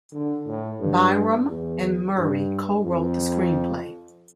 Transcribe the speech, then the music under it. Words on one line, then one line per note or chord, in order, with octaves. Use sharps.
Byrum and Murray co-wrote the screenplay.
D3
A2
G2
E2
G2
F2